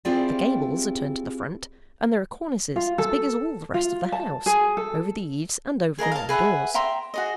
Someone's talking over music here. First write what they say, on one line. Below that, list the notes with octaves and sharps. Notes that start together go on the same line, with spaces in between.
The gables are turned to the front, and there are cornices, as big as all the rest of the house, over the eaves and over the main doors.
C4 E4 F4 G4 G#4 D5
F4
A4
F4
A5
G#4
A4
G#4 A#4 D#5 A#5
F5 A5
G#4 B4 E5 F#5
E5 G5 A#5 C6
F#4 G#4 D#5